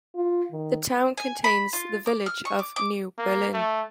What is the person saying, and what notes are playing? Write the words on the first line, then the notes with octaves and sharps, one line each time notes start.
The town contains the village of New Berlin.
F4
D#3
G#5
B5
F4
D6
F6
C#6
D6
D6
A#3
A3